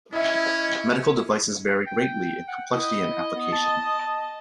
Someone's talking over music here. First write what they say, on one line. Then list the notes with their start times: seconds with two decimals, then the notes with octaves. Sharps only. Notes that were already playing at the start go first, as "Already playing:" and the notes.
Medical devices vary greatly in complexity and application.
0.13 C#4 E4 D#5 E5
1.87 G5
2.48 F#5
2.73 E4 D#5
3.35 B3
3.52 A5